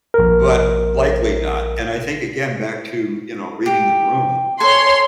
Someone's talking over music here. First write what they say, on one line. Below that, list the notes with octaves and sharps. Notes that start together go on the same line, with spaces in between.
but likely not, and I think, again, back to, you know, reading the room
A#1 A#4
G4
A4 C#5 G#5 C6